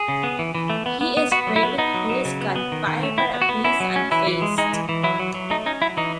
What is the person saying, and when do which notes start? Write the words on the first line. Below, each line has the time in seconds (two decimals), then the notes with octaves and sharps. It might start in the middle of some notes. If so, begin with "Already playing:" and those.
He is sprayed with police gun fire but appears unfazed.
Already playing: G#4
0.08 C#3
0.23 B3
0.39 E3
0.55 E3
0.70 A3
0.86 B3
1.01 B3
1.17 B3
1.32 B3 F#4
1.47 F#3
1.56 E4
1.63 B3
1.78 B3 D#4
1.94 F#3
2.10 F#3
2.25 C#3
2.41 B3
2.56 B3
2.72 D#3
2.87 D#3
3.03 A3
3.18 B3 E4
3.34 B3
3.42 F#4
3.49 B3
3.64 C#4 E4
3.80 F#3
3.96 C#4
4.11 E3 E4
4.26 E3
4.42 G#3
4.58 G#3 D#4
4.73 E3
4.89 E3
5.04 F#3 E4
5.20 F#3
5.34 F#3
5.50 A3 D#4
5.66 C#4 D#4
5.82 F#3 E4
5.97 E3 D#4